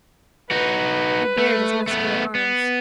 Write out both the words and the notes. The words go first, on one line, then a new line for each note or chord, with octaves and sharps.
He bared his muscular arms.
D#4 F#4 B4
A3
A3 B3
B3